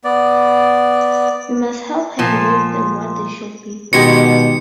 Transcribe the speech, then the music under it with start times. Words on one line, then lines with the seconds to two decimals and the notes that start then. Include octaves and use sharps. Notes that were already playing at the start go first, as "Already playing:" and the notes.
You must help her make them what they should be.
0.04 B3 D5
2.19 A#2 F3
3.93 B2 D#3 G#3 G4 C#7